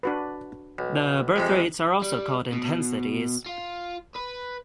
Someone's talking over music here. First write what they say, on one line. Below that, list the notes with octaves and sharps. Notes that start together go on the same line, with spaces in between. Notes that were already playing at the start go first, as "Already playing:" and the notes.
The birth rates are also called intensities.
D4 F#4 B4
B1
F2 C3 G#3
G3
B2
F4
B4